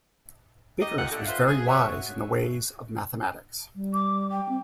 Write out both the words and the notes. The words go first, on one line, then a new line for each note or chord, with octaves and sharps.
Biggers was very wise in the ways of mathematics.
D#4 G4 D#5
A#2 D#3 G4 F#5
D3 A3
F4 B4 C5 E5 F5
G#4
F#4 B4 C#5 E5
G3
D6
G5
C4